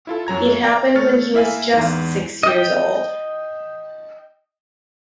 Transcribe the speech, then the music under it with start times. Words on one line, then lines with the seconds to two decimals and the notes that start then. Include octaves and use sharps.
It happened when he was just six years old.
0.07 E4 F4 A4
0.27 F#2 F#3 A#5 G#6
0.64 D5 G5 A#5
0.95 A3 C#5 F6 A6 C#7
1.34 A#3 E4 E5 F5 G#5
1.73 E2 G#2
2.43 D#5 G5